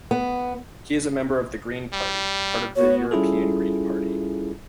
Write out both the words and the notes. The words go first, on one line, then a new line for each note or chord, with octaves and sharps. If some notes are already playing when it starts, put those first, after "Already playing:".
He is a member of the Green Party, part of the European Green Party.
B3
G3
B3 F#4 C#5
G3 C#4 E4 F4 G#4 A4